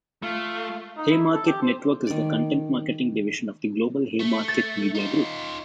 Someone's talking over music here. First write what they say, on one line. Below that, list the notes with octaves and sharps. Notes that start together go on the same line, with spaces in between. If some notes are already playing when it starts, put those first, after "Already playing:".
Haymarket Network is the content marketing division of the global Haymarket Media Group.
A3 F4
D#4
E4
A4
G4
C5
D#3 D5
A3
A6
D#4 F4